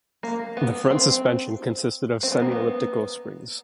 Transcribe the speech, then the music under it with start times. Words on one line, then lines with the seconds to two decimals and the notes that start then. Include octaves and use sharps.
The front suspension consisted of semi-elliptical springs.
0.23 A#3
0.57 B3
0.90 C4
2.23 C4
2.32 B3
2.42 A#3
2.52 B3